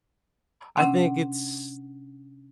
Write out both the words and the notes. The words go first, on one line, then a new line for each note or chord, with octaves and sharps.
I think it's
C3 C#4 D4 F#5 C6